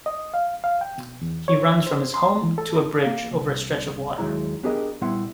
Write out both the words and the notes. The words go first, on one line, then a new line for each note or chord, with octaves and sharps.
He runs from his home to a bridge over a stretch of water.
D#5
F5
F5
G5
B2
E2
C#5
D#3
C5
C6
E3
A4
A#3 F5
C2
D#2 F#3 G#3 E4 A#5
B3 D4 G4 G#4 A#4 D#5
A#2 G3 B3 E4 F#5 C6